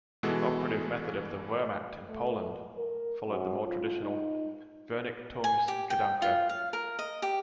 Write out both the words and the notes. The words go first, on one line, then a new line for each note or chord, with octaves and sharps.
The operative method of the Wehrmacht in Poland followed the more traditional "Vernichtungsgedanke".
B2 E3 G#3 F#4 A4
A3
A#4
F#2
F4
D#4
G#5
G4
G5
F4
F5
A#4
D#5
G4